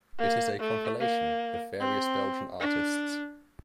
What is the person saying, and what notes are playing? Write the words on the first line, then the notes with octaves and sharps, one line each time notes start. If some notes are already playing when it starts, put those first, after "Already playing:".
It is a compilation of various Belgian artists.
A#3
A3
A#3
C4
D4